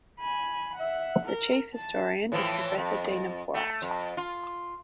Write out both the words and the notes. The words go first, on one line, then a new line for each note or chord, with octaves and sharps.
The Chief Historian is Professor Dina Porat.
G#5 B5
E5 F#5
A#4
A5
A2 E3 F3
F2
A3
F2
F4